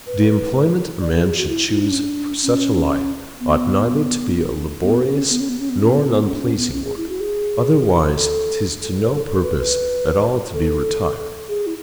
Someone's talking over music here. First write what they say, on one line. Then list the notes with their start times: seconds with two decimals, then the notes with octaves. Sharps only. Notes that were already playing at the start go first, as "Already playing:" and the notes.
The employment a man should choose for such a life ought neither to be a laborious nor an unpleasing one; otherwise 'tis to no purpose at all to be retired.
0.07 B4
1.01 D5
1.14 A4
1.25 G#4
1.37 F#4
1.49 E4
1.73 E4
1.82 D4
1.91 C#4
2.00 D4
2.44 C#4
3.40 B3
4.83 B3
5.06 C#4
5.30 B3
5.40 C#4
5.49 B3
5.59 C#4
5.70 B3
5.79 C#4
5.89 B3
5.99 C#4
6.08 B3
6.26 C#4
6.35 D4
6.42 C#4
6.57 B3
6.73 C#4
6.85 G#4
6.97 E4
7.09 F#4
7.20 G#4
8.16 A4
9.04 B4
9.11 A4
9.27 A4
9.43 B4
9.59 B4
10.54 A4
11.49 G#4
11.67 E4